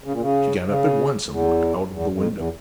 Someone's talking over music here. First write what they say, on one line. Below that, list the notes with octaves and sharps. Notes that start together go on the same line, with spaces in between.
She got up at once and looked out of the window.
C#3
A#2
C#3
C#3
E2
E2
F2
E2